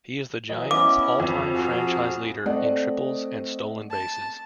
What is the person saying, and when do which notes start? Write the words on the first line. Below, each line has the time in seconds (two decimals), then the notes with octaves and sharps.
He is the Giants' all-time franchise leader in triples and stolen bases.
0.49 E3 F#3 D#5
0.71 B3 C#4 E4 D6
1.20 F2
1.53 F#4 G#4 F5
2.46 A3 C4 D5 D#5 F#5
3.90 A5